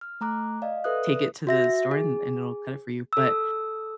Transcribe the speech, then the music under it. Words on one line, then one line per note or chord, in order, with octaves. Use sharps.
take it to the store and and it'll cut it for you, but,
F6
A3 A#5 D6 F#6
D5 D#5 F5
A4 B4 D5 E5 D#6 F#6
F#4 E5 A#6
G#4
A4 E6